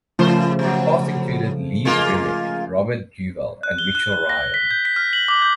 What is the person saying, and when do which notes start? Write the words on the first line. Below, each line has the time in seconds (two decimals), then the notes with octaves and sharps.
The cast included Lee Remick, Robert Duvall and Mitchell Ryan.
0.19 A2 C#3 F3 A3 C5
0.59 B2 F#3
1.85 G#3 A#3 F4
3.63 F#6
3.78 G7
3.95 F#6
4.12 F#6
4.29 A#6
4.54 B6
4.71 G6
4.85 B6
4.96 F6
5.13 F#7
5.28 D6
5.42 G6